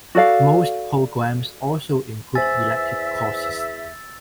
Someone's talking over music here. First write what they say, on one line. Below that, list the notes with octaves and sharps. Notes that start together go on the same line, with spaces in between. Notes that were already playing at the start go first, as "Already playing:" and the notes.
Most programs also include elective courses.
F#4 A4 D5 F5
E2 C5 E5 G#5 E6 A6